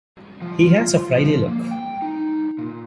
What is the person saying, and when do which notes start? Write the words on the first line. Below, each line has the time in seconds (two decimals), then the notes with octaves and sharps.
He has a Friday look.
0.42 F3
0.67 F4
1.10 F3
1.48 A#3
1.71 G5
2.02 D#4
2.58 A#2